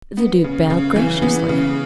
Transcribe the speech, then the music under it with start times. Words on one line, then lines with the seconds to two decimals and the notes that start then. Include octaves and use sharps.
The Duke bowed graciously.
0.17 B3
0.44 C#3
0.70 C#3
0.96 E3
1.22 B3
1.49 C#3